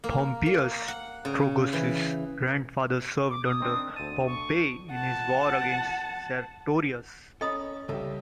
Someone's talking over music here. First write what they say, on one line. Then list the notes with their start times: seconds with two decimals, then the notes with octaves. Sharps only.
Pompeius Trogus's grandfather served under Pompey in his war against Sertorius.
0.04 A#3
0.46 A#3
0.88 F#5
1.25 C#3
1.73 E3
3.30 D6
3.44 D#6
3.60 D#3 C4 D4
3.96 D2 A5 D#7
4.26 C#6
4.92 F#5 A5
7.41 C#4 A4 D#5 A#5 B5 D#6
7.89 C2 C#3 G4 A4